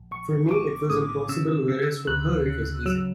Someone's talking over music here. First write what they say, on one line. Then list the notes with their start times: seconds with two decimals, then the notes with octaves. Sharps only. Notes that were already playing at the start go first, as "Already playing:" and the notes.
For me it was impossible, whereas for her it was easy.
Already playing: A#1
0.11 A#1 C#6
0.51 A#1 D6
0.90 A2 D#6
1.29 C#3 E6
1.68 C#3
2.07 D2 F#6
2.46 C#3
2.86 F#3 E6